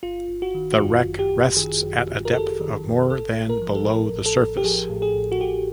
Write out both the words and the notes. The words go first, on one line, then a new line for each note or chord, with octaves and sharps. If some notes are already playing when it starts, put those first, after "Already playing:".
The wreck rests at a depth of more than below the surface.
G1 F4
G1
F#4
D#3
F#4
F#2 F4
G1
G4
G1
D#3 G#4
F#2
G1
A#4
G1 A4
D#3
F#2
A1 A4
A1
A#4
F3
A4
A2 A#4
A1
A4
A1
G4
F3 G#4
A2
G#4
A1
F#4
A1 G4